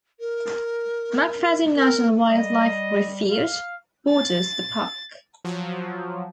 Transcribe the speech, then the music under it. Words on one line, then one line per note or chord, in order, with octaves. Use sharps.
McFaddin National Wildlife Refuge borders the park.
A#4
A#4
G3 D#5
F5
A6
F3 F#3